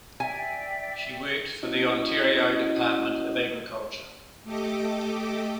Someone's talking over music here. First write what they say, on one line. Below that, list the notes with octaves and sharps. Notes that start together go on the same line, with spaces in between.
She worked for the Ontario Department of Agriculture.
D5 E5 G5 G#5
C#4 E4 F#4 D#5
A3 G4 A4 D#5 D6